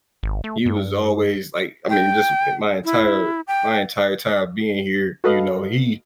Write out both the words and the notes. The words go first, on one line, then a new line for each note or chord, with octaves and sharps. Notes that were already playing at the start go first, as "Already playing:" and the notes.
he was always like, I mean just i my entire my entire time being here, you know, he
G#1
A3
G2
G5
E4
G5
F#4 A4 B4 D#5 F5